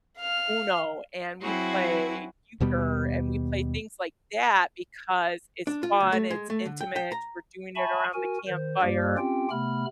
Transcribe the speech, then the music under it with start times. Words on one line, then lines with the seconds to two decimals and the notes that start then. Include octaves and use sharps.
Uno and we play Euchre and we play things like that because it's fun, it's intimate, we're doing it around the campfire,
0.18 F5 F6
1.41 F#3 C4 E4 F#4 G#4
2.60 D#2 B2 G3 B3
5.67 D4
5.83 F4
6.01 D2
6.12 A3
6.31 G#3
6.50 A3
6.66 D3
6.81 G5
6.96 G5
7.12 A#5
7.76 E5 G#5 A5 B5 C#6
8.14 F#4 A#4 G#5
8.47 D#3 C5
8.82 G2 G3 A#3 G4 D5
9.18 C4 C#4 F4 G4 G5
9.50 C3 A3 B3 B5 F6